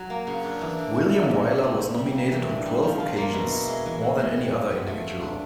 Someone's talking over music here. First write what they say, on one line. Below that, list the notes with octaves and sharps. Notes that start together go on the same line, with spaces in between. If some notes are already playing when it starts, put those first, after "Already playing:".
William Wyler was nominated on twelve occasions, more than any other individual.
Already playing: F#3
A#3
C#3
D4
E3
D3
E4
F#3
A#2
A#2
G3
G3
G3
A#3
E3
D4
G3
F3
F4
A#3
B2
E4
G#3
E3
E3
G#3
G3
F4
B3
A3
A4
D4